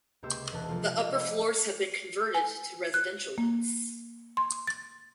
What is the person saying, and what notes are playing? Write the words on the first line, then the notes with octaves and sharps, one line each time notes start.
The upper floors have been converted to residential use.
C#2 C3 A#3 G4 C5 E6
E1 A5 F#6
C3 F3 G#3 A3 F4 A#4
C3 F4 D5 D#5
A#4 F#5 G#5 B5
G#5
F#6
A#3
C6
A6